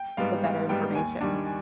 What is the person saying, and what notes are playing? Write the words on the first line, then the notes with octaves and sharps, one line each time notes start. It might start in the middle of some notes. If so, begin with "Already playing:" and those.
the better information?"
Already playing: G5
G#2 G3 B3 F5
G#1 F5
G#2 G3 B3 G5
D#2 G#5
D#3 G3 D4
G#5